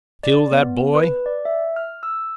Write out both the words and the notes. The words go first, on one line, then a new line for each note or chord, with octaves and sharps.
Kill that boy?
D5
B3
B4
D5
E5
F6
E6